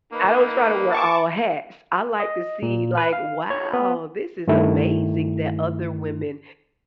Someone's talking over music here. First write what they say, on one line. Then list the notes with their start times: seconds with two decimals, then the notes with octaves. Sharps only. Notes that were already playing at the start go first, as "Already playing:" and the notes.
I don't try to wear all hats. I like to see, like, "Wow. This is amazing that other women,"
0.13 A#3 D#4 B4
0.92 A5 C#6 D6
2.20 D#5
2.62 A#2
2.97 B4
3.13 F5
3.50 C#5
3.73 B3
4.48 G2 D#3 A3 E4